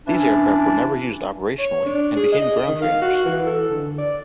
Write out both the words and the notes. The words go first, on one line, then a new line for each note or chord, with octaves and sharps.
These aircraft were never used operationally and became ground trainers.
E3 C#4 D4
C#5
D4
G#4
D#5
D#3
F5
F#4
E3
A4
D3
D5